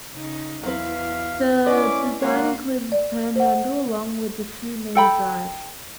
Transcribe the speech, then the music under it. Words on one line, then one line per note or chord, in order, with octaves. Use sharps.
The design included a Panhandle along with two main drives.
C#3 D#4
E2 F#3 C4 E4 B4 F5
C#4 E4 B4 D5 D#5 D6
D#3 G#3 A#3 F4 F#4 C#5 F#5
D5
C5 F#5
A4 G5 B5